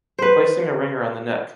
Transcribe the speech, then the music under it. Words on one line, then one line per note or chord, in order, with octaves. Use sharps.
Placing a ring around the neck.
B4 C5